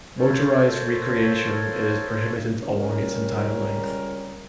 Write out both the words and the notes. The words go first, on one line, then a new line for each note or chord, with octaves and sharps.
Motorized recreation is prohibited along its entire length.
F4 A4 A#4 C5 C#5
C#2 G3 C#4 A#4